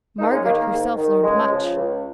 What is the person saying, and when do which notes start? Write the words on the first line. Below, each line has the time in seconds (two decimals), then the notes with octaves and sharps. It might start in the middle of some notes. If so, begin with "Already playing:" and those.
Margaret herself learned much.
0.19 G#2 A#3 D#4
0.32 G#3 C#4
0.45 D#3 A#3
0.58 A#3
0.72 G#2
0.97 D#3
1.23 C#2 G#3
1.50 C#3 F3
1.75 C#2